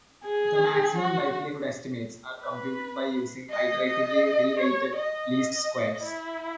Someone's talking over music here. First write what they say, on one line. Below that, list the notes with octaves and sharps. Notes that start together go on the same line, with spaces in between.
The maximum-likelihood estimates are computed by using iteratively reweighted least squares.
G#4
F#4
B4
D#5
D#5
C#5
D#5
D#5
E4